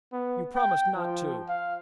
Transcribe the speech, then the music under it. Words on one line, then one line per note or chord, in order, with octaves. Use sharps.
"You promised not to!"
B3
G5
F3
F5